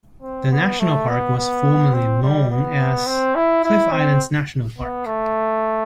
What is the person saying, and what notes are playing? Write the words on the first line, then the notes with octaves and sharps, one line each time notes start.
The national park was formerly known as Cliff Islands National Park.
C4
B3
A3
B3
B3
C4
G3
B3
C4
E4
E4
C4
B3
A3